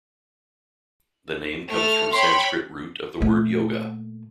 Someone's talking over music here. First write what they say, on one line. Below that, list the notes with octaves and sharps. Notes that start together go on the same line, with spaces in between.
The name comes from Sanskrit root of the word "yoga".
A3 F6
C#5 G5 B5 C6
A#2 A3